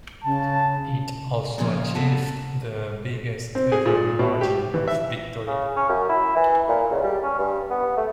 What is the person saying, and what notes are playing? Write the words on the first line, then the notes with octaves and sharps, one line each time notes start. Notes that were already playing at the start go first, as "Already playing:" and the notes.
It also achieved the biggest ever margin of victory.
C#3 A5
A#2 C#3 F3 A#3 D#4 F4
G2 B2 A4 F#5 A5
C4
G#4
A#2
B2
G4
E3
E5
C#3
C#4
F#2
E4
E3
A#2
C#2
G3
C#4
G2
B3
A3